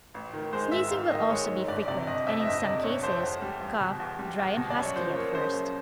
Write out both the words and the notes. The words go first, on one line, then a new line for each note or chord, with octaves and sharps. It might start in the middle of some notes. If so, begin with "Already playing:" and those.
Sneezing will also be frequent, and in some cases cough, dry and husky at first.
A1
D#3
G#3 C5
G#2 E5
A1 F5
D#3 D#5
G#3 C#5
G#2
G1 D5
C3 D5
G1 D#5
F2 E5
D#5
G1 E5
D#5
C3 D5
G1 C#5
F2 C5
E2
G3
E2
B2
E2
G3
E2
B2
D5
F#2
C#5
F3 C5
A#3 C#5
C#3 C5
F#2